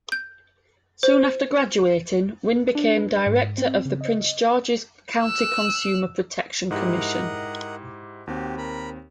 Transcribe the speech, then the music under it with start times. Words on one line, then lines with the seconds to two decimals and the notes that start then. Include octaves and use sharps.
Soon after graduating, Wynn became director of the Prince George's County Consumer Protection Commission.
0.12 G6
1.03 C5
2.75 D4
2.97 B4
3.26 G#2
3.58 C4
3.85 C#3
4.01 D#5
5.21 E6 F#6
6.71 G#2 E4 G4 A#4 D#5 F#5
8.27 D#2 C4 F#4 G4
8.58 A#4 B5